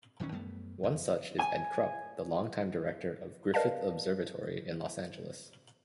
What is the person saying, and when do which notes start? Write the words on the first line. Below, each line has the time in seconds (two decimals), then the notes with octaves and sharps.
One such is Ed Krupp the long-time director of Griffith Observatory in Los Angeles.
0.20 D#1 D#3 E3 C#4
0.32 F#2 G3 A3 B3
0.83 F2
1.39 G#5
3.54 A#4 B4 D5 D#5 F5 A5